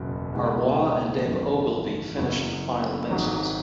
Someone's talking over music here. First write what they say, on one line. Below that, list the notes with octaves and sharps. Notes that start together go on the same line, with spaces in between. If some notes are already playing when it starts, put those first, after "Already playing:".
Arboit and Dave Ogilvie finished the final mixes.
Already playing: F#1 E2 B2
C#2 B2 G#3 B3 E4
G#1 F#2 E3
F#1 F#2 C#3 F#3 E4
G#1 G#2 F#3